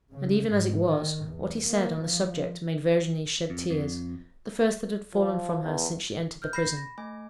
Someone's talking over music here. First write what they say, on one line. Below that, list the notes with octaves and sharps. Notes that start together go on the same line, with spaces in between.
And, even as it was, what he said on the subject made Virginie shed tears--the first that had fallen from her since she entered the prison.
C#3
G#2
D#3
E2
A#3
F3
F2
F2
F3
E2
F6 G6
B5 G6 A#6 C7
A#6
A3 G#5